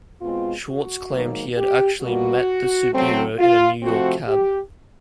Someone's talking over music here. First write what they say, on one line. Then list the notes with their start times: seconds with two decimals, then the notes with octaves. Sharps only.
Schwartz claimed he had actually met the superhero in a New York cab.
0.21 B2 G#3 C4 F4
0.67 F#4
1.13 G#2 D#3 F#3 A#3
1.57 G4
2.02 B2 G3 A#3 F#4
2.93 C#3 F#3 A3 C4
3.38 F4
3.82 C3 F3 A3 C4 F#4
4.28 G4